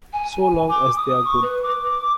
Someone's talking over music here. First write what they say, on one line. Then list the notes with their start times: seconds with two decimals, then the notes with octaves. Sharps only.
So long as they're good.
0.13 G#5
0.69 D6
0.96 D#6
1.25 C#6
1.42 B4
1.63 D6